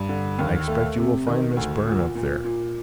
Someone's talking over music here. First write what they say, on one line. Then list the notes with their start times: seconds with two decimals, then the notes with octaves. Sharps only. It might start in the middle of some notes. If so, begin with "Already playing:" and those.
I expect you will find Miss Byrne up there.
Already playing: G2
0.09 D3
0.39 D#2
0.68 A3
0.98 C3
1.27 D#3
1.57 D2
1.86 A#2
2.15 A#2
2.44 A#2